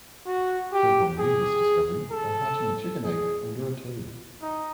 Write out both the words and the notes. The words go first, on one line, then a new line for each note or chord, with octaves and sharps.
Herpo made this discovery by hatching a chicken egg under a toad.
F#4
G4
G#4
A4
G#4
D#4